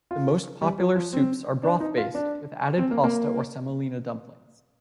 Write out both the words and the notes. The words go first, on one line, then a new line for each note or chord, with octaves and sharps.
The most popular soups are broth based, with added pasta or semolina dumplings.
F4
G3
F3
F3
C4
D4
D#4
F4
D4
C4
A#3
A#3